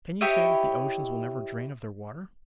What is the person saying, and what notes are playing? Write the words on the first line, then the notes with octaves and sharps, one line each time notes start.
Can you say that the oceans will never drain of their water?
E4 G4 C#5 D#5